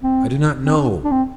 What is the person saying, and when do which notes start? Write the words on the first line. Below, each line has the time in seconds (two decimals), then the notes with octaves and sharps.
I do not know!
0.03 C4
0.65 C4
0.76 D4
1.04 D4
1.12 C4